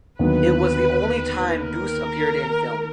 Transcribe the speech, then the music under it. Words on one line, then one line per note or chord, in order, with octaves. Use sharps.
It was the only time Duse appeared in film.
D#2 D3 F#3 B3 D#4 B4
A#4